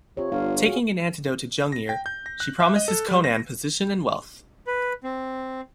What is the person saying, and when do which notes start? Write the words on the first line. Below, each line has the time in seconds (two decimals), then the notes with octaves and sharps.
Taking an antidote to Jungir, she promises Conan position and wealth.
0.17 C3 F4 C#5
0.32 G1 F5
0.67 F#4 G#4
1.72 A#6
1.89 G5
2.06 G6
2.26 A#6
2.40 F#6
2.60 E5
2.76 D#5
2.88 A4
3.08 G3
3.24 A#6
4.67 B4
5.04 C4